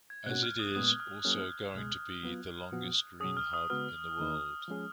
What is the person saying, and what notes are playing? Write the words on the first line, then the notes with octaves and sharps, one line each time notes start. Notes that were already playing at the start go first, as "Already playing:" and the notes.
As it is also going to be the longest green hub in the world.
G#6
B2 A#3 C#4 F#4 F#6
F6
D#6
A#2 G#3 B3 D#6
F6
F#3 A#3 C#4 G#4 F6
D#6
F6
C#2 B2 G#3
F#3 B3 F4
A#2 F3 B3 F#4
B2 F#3 C#4 G#4 D#6
F6
D#6
C#3 G#3 B3 F#4 B4 F6
D#2 D#3 A#3 D#4
F3 G#3 C#4 G#4